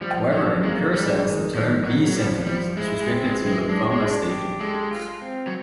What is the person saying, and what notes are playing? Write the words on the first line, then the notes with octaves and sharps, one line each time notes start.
However, in a pure sense, the term "B symptoms" is restricted to lymphoma staging.
F3 G3
F3 F#3
G#3 A#3
G3 G#3
D#3
D#3 F3
C#3 F#3
F#3
F3 G3
F3 G3
G#3 E4
G#3
C4
G#3
E3
G#3
G#3 D4
G#3
D4
G4
G#3 A4
F4
C4
F#3